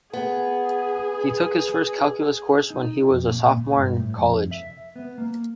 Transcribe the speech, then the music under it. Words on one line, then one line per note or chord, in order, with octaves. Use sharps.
He took his first calculus course when he was a sophomore in college.
B3 G#4
D#4
F2
A#2
A#2
G2
A2
F2
E5
B3
A#3